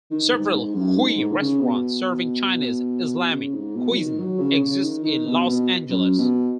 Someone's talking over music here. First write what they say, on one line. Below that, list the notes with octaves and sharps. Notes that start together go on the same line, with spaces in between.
Several Hui restaurants serving Chinese Islamic cuisine exist in Los Angeles.
D#3
G#2
G#2
F#2
G#2
G#2
D#3
C#3
B2
C#3
G#2
B2
F#3
D#3
F#3
C#3
C#3
D#3
D#3
B2
B2
F#2
B2